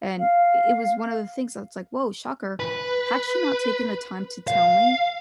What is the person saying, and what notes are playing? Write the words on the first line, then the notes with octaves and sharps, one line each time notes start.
and i it was one of the things that's like, whoa, shocker. Had she not taken the time to tell me,
F5
B4
F5